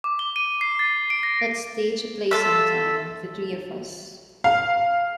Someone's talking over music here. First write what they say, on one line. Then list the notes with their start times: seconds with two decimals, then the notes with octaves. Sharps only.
Let's stage a play sometime, the three of us.
0.04 D6
0.19 G7
0.36 D#7
0.61 C7
0.79 A6
1.10 D7
1.23 A#6
2.31 F4 A4 E5
4.44 F5